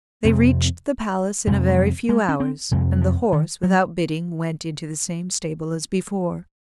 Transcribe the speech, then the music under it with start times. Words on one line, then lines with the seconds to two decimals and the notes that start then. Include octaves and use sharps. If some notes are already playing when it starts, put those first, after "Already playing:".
They reached the palace in a very few hours, and the horse, without bidding, went into the same stable as before.
0.24 F2 C3 C4
1.47 F2 C3 G#3
1.68 G#3
1.79 F#3
2.09 G#3
2.29 C#4
2.40 C4
2.71 F2 C3 G#3
3.01 F3
3.33 D#3
3.63 F#3